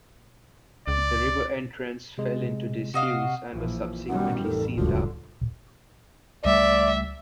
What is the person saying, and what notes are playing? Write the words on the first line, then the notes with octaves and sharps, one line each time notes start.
The river entrance fell into disuse and was subsequently sealed up.
C#2 D5
C3 G#3
C3 F#4 D#5 F5
A#1 E3 F3
F#2 B2 D#3 G3 F#5
A1 F2 D#3 A4
D#1 C#2 G2 D3 F3 F#4
C#2 G3 A3 D5 E5